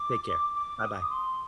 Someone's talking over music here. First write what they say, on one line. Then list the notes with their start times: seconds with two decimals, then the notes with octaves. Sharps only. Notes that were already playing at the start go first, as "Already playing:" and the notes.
Take care. Buh-bye.
Already playing: D6
0.55 D6
0.83 D#6
1.10 C6